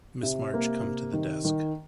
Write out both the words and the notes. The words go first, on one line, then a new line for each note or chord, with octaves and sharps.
Miss March, come to the desk.
C3
A#3
C3
D#3
D#3